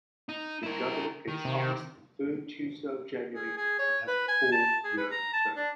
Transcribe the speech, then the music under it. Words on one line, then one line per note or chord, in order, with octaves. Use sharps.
The Governor takes office the third Tuesday of January and has a four-year term.
D#4
E4 A#4
D#3
C3
G#4
G#4
C#5
B4
G#5
A5
G#4
B4
A#5
A5
D4